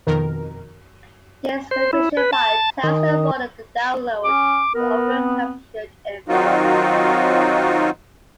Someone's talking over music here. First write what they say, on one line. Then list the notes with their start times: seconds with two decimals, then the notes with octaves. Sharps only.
This configuration file tells the modem the download and upload caps it should enforce.
0.07 F2 B2 D#3 A#4
1.71 C5
1.93 E4
2.17 B4
2.33 A5
2.83 D#3
4.24 C#4 D6
4.74 B3 A#4
5.14 C4
6.28 D#3 F#3 C4 D#4 F4 F#4